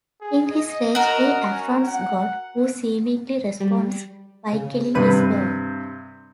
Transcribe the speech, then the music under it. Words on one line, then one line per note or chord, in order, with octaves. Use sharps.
In his rage he affronts God who seemingly responds by killing his dog.
G#4
D#5
F#4 A#4
C#4
F#5
G3
C#3
G2 C3 D#3 B4 D#7